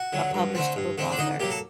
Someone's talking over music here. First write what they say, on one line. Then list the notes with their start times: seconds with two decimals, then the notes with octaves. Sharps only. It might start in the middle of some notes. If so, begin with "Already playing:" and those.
a published book author.
Already playing: F#4
0.13 D3 F#3
0.34 G2
0.55 D3 A3 C4
0.76 G2
0.98 D3 A3 C4
1.12 D4
1.18 D3 D#4
1.40 F#3 A#3 G4
1.50 A4